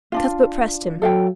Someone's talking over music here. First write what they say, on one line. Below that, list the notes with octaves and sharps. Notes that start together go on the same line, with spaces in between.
Cuthbert pressed him.
D4 D#4 F4
F#3 A4 F5 G5